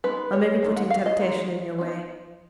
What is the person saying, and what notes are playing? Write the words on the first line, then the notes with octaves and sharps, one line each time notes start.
I may be putting temptation in your way.
G#3 B3 D#4 B4
C#5
D#3 G#3 D#4
F#5
F5
D#5
D#3 G#3 B3 D#4
F3 B3 D#4